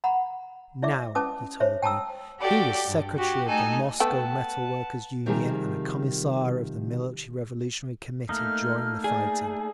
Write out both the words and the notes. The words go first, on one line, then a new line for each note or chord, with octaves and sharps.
Now, he told me, he was secretary of the Moscow Metal-Workers' Union, and a Commissar of the Military Revolutionary Committee during the fighting....
F#5 A#5 B5
E4 D5 E5 D6
C#4 B4 A5 D6 D#6
C5 C#5 E5
G5 A5 A#5 D#6 E6
F#4 G4 A4 D5 G5
G2
F#4 G4
A3 D#4 A4 G#5
A3 B3 B4 F#5 G5 A5
C3 D#3 F3 G3 G4 G#4
A3 A#3 D#4 F6
G#4 D5